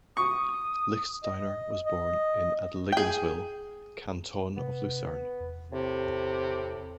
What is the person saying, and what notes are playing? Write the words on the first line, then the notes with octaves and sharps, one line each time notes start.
Lichtsteiner was born in Adligenswil, Canton of Lucerne.
C#6 D#6
D#5
D#5
G#4 G5
C3 B3
E2
A2 C3